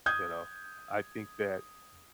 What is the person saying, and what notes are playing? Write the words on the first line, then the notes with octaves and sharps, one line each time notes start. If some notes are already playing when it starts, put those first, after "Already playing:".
you know? I think that,
D#6 G6 G#6